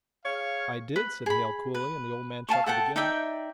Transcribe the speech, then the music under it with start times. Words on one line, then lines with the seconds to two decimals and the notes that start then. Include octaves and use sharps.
"I did," said Hale coolly, and the old man chuckled again.
0.25 G#4 C#5 F5
0.96 B4
1.26 G#4 B5
1.74 B4
2.49 F5 G#5 A5 C#6
2.66 A4 F#5 G5 A5
2.96 D#4 D5 E5 G5